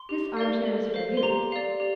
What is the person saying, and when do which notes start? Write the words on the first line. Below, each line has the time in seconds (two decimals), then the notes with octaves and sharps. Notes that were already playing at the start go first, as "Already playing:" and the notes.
This armchair is for you.
Already playing: C6
0.09 G4
0.37 A#4 D5 F5
0.65 A4
0.94 C5 F5
1.17 C6
1.23 G4 A#5
1.52 D5 F5
1.80 G4